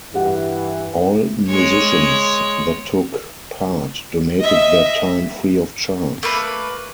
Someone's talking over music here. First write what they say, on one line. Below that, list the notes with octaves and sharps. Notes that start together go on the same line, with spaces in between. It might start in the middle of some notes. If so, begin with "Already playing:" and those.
All musicians that took part donated their time free of charge.
G2 E3 G4 F#5
G#3 C#5
D#5 E5
A3 A#3 B4